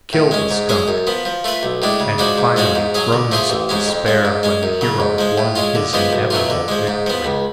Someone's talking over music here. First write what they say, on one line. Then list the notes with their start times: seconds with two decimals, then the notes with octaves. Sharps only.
"Kill the skunk!" And finally groans of despair when the hero won his inevitable victory.
0.13 A2
0.31 G#3 C#4
0.51 G#2
0.69 G#3 C#4 G#4
0.88 F#2
1.07 F3 B3
1.25 F3
1.44 A3 F4 B4
1.63 B1
1.82 A2 G#3 D4
2.00 C#3
2.18 F3 G#3 D4 F#4
2.38 G#2
2.56 F3 G#3 C#4 F#4
2.75 G#2
2.94 F#3 C#4 G#4
3.13 D3
3.31 F3 A3 F4 G#4
3.49 A1
3.69 G#2 G#3 C#4
3.88 F2
4.06 F3 G#3
4.25 G#2
4.43 G#3 C#4
4.63 F#2
4.81 C#3 F#3
5.00 G#2
5.18 F3 G#3
5.38 A2
5.56 G#3 C#4 F4
5.75 D3
5.93 F3 G#3 B3 F4
6.13 B1
6.30 B2 F#3 A3 F4
6.50 D3
6.68 F3 G#3
6.87 G#2
7.06 F3 B3
7.25 C#2